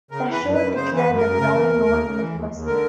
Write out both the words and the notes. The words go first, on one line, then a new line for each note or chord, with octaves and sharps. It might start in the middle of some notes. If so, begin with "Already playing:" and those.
The show declared the brown note myth busted.
C#3 A#4
E3
B4
F#2
B4
F#2
C#3 C5
E3 B4
F#2
A#4
F#2
C#3
E3
D#2
D#2
C#3
E3
D#2
D#2
D3 A#4